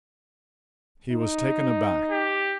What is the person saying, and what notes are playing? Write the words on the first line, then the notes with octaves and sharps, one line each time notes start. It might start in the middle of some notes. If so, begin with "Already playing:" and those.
He was taken aback.
D#4
G4